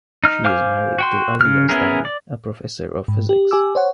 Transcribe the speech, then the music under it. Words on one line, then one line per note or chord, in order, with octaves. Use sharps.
She is married to Ali Yazdani, a professor of physics.
D#4 F6
C5 F5 G#5 D6 F6
F#4 G5 C6
C#3 F6
B3 C#4 E4 G#4 A#4
D5
G#2
G4
G4 G#5 D6 E6
C5 C#5 F#5